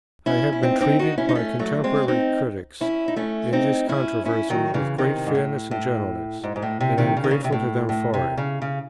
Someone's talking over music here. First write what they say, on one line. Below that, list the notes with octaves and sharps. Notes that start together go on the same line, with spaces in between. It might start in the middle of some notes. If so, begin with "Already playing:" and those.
I have been treated by contemporary critics in this controversy with great fairness and gentleness, and I am grateful to them for it.
C#4 E4
E4
C4 D#4
C4 D#4
D#4 F#4
C#4 E4
D#4
A3 C#4
F#3 A3
G#3 C4
C4 D#4
C#4 E4
D#4
A3 C#4
C4 D#4
C#4 E4
C#4 E4
D#3 F#3
C#3 E3
C3 D#3
G#2
A2
A2
G#2
G#2
A2
C3
C3 D#3
C#3
D#3
C#3
C3
A2
A2
C3
C#3
C#3